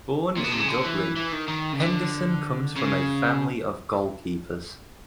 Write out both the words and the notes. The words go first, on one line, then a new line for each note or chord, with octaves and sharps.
Born in Dublin, Henderson comes from a family of goalkeepers.
A#2
B2
C3
C#3
D3
E3
E3
D#3
D#3
C#3
D3
C#3